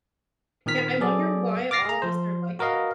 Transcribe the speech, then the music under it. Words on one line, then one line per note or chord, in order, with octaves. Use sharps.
Yeah, I wonder why all of us are like that.
A#2 D#3 C4 F6 B6
F#3 G#4 A4 D5
D6 F6 A6 A#6 C7
G#4 A#5
F3 C5
F#4 A#4 B4 D#5 F5